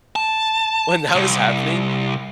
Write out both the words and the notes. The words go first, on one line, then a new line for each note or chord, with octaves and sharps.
when that was happening
A5
C2